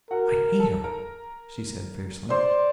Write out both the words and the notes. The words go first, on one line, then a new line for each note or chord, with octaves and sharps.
"I hate her," she said fiercely.
F#4 A#4 F#5
A4 A5
A#4 A#5
C5 D5 C6